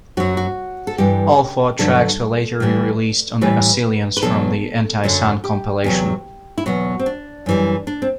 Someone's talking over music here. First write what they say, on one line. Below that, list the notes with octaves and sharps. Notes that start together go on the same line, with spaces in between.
All four tracks were later re-released on the Oscillons from the Anti-Sun compilation.
F#2 F#3 F#4
F#4
A4
G2 E3 G3 G4
G2 D3 F#3 A4
A2 E3 G3
A2 E3 G3 B4
B4
E2 B2 F#3 A4
F#2 D3 F#3
G4
E2 C3 F#3
E4
E2 B2 F#3 F#4
C4
D4
F#2 E3 G3
D4
C4